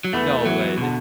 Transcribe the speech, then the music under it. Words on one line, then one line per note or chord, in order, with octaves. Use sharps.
No way, they
F#3
E2 E3 A3 B3 E4
E2 E3 F#3 B3 E4
B2 D3